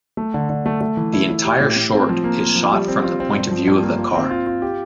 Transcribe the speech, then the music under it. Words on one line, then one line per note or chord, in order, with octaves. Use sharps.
The entire short is shot from the point of view of the car.
A3
D3
D3
A3
A3
E3
E4
E4
G4
A2
A2
C4
F3
A#3
A#3
F3
G3
C4
F4
C4
G2
F3
G2
A#3
F4
C4
F4
F4
G4